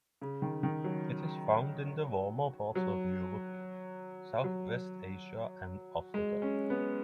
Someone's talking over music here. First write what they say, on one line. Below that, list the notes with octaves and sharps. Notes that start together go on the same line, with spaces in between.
It is found in the warmer parts of Europe, southwest Asia and Africa.
C#3
D#3
D#3
F#3
F#3
F#3
G#3
C#4
B3